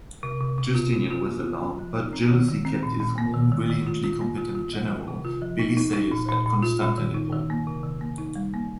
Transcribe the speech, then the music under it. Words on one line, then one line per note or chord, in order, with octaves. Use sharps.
Justinian was alarmed, but jealousy kept his one brilliantly competent general Belisarius at Constantinople.
C3
C3
C3
F4
F4
F4
A#3
F4
F4
F3
D#4
C4
D#3
D#3
C4
A#2
A#2
A#3
D#3
D#3
D#3
F4
F4
A#3
F4
F4
F3
D#3
C3
F4
F3
D#4
D#4
D#4
A#2
A#2
A#2
F4
A#2
D#3
D#4
D#3
A#3
C3
D#3
A#3
D#4
G3
A#3